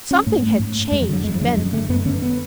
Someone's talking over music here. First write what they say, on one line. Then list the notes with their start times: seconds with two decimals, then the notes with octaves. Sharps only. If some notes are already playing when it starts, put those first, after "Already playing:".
Something had changed Benda.
0.11 C#4
0.27 G#2 A3
0.42 A3
0.60 G#2
0.91 F2 G#3
1.02 F3
1.09 D3 F#3
1.24 F2 G#3
1.35 F3
1.41 D3 G#3
1.46 F#3
1.57 F#2 G#3
1.73 D3 A3
1.89 F#2 B3
2.06 D3 C#4
2.22 B3